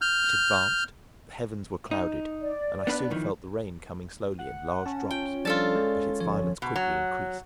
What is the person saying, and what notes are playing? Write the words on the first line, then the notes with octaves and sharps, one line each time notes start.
It advanced; the heavens were clouded, and I soon felt the rain coming slowly in large drops, but its violence quickly increased.
F6 G6
D#4
D5
B3 D4 B4
F2 D#3 E3
F#5
C#4 F#5 A5
F4 G5
F3 G3 D4 F4 A4 D5 A5
G#3
G1 F3 C#5
B2
F#3